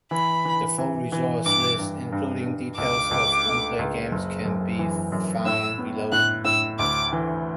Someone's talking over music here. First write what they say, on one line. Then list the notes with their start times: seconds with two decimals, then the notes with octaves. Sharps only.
The full results list including details of unplayed games can be found below.
0.11 E3 B5
0.45 E3
0.78 E3
1.12 E3
1.45 G2 D6
1.79 G2
2.12 G2
2.46 G2
2.78 C#2 D6
3.11 C#2
3.46 A3
3.79 C#2
4.12 F#1
4.45 F#2
4.79 E3
5.12 F#2
5.46 A2 E6
5.78 B3
6.12 A2 F#6
6.45 A2 E6
6.79 D2 D6
7.13 E3